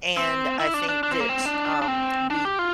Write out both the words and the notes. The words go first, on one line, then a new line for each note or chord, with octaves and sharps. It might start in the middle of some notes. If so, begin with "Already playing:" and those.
and I think that, um, we
C4
E4
D4
D4
D4
C4
A#3
C4
D4
D4
C4
D4
G4
F4